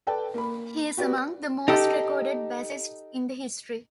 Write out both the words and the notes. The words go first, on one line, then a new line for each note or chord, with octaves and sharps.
He is among the most recorded bassists in history.
A4 B4 D5 G5 A5
A#3 B5
F#4 G4 B4 D5
D#4 G4 A4